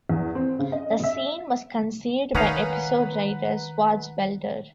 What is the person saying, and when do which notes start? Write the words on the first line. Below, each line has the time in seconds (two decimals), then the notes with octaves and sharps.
The scene was conceived by episode writer Swartzwelder.
0.09 E2
0.35 C4
0.59 C#3
0.72 D#5
0.91 D#5
1.04 E5
2.35 D#3 C#4 D#4 B4 F5 F#5 A#5